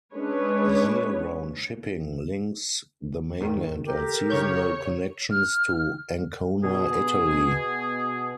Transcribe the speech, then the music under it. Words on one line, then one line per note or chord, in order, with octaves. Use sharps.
Year-round shipping links the mainland and seasonal connections to Ancona, Italy.
G#3 C#4 D4 B4 C#5
E2 G#2 D#3
G4 A4 A#4
C#3 C#5 C#6 G6
F6
B2 G#4